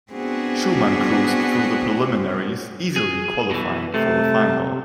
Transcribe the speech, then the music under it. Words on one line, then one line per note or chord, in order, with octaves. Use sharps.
Schumann cruised through the preliminaries, easily qualifying for the final.
B3 C4 D4 F#4 G#4
G#4
B2 E3
C3 A3